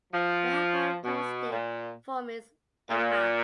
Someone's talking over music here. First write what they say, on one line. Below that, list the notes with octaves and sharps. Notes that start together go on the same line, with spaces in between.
The hypocoristic form is Imma.
F3
B2
A#2
A#2